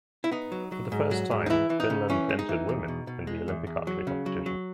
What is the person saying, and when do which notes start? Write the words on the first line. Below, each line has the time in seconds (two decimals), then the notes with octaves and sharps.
For the first time, Finland entered women in the Olympic archery competition.
0.24 E4
0.31 B3 D#4
0.52 F#3
0.72 F#3
0.92 G#2
1.11 F#3
1.31 G#2
1.46 D#4
1.50 E3 E4
1.70 E3
1.80 D#4
1.90 C#3
2.09 E3 C#4
2.29 G#3
2.39 D#4
2.49 E3
2.69 E2
2.88 B2
3.07 B2
3.27 G#3
3.48 E2
3.67 E2
3.87 F#3
4.07 C#3
4.26 F#3
4.46 F#3